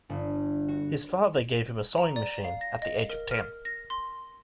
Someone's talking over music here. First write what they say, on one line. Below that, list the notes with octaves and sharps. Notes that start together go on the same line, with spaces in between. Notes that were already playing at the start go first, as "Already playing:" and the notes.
His father gave him a sewing machine at the age of ten.
G1
F#4
A#5
D5
F5
A#6
D#5
A#4
F6
A#6
C6